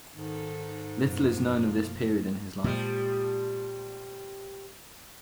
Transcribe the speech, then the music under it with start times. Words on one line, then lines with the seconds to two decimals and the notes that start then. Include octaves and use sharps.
Little is known of this period in his life.
0.15 G#2 D#3 A4
1.05 F#2 B2 F3 A#3
2.64 A#2 F3 G3 G#3 G4